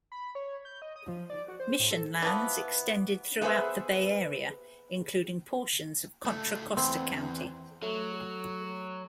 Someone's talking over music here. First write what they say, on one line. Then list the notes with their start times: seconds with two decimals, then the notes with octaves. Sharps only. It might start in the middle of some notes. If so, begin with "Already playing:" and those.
Mission lands extended throughout the Bay Area, including portions of Contra Costa County.
0.12 B5
0.35 C#5
0.65 G6
0.82 D#5
0.96 D#6
1.08 F3
1.30 D5
1.48 F#4
1.60 C5
1.79 A2
1.91 A4
2.22 E3 F3 B3
3.41 A3 B3 G#4 B4 C5 E5
6.25 C#2 A3
6.77 E2 C4
7.83 F#3 A3